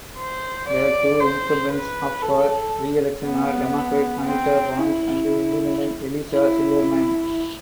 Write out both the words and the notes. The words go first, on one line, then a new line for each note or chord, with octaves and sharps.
The two incumbents up for reelection are Democrat Anita Bonds and independent Elissa Silverman.
C5
D5
C5
B4
A4
B3
C4
E4
E4